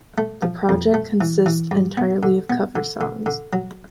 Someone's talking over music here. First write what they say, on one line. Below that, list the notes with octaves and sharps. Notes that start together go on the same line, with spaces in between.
The project consists entirely of cover songs.
A3
F3
F2
A3
E3
E3
G2
B3
D3
B3
D3
D3
D3
F#3